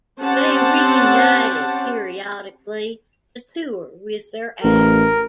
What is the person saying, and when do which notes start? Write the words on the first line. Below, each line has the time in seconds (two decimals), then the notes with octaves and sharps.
They reunited periodically to tour with their act.
0.20 C4 C#4 G4 C5 F#5 A5
4.64 A1 A#4